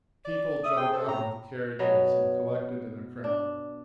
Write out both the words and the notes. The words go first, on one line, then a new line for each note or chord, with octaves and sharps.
People jumped out of the carriages and collected in a crowd.
D5
E5 D#6
C3 G#4 G5
F3 C4 A4
A2 A#5
B2 F#3 B3
D4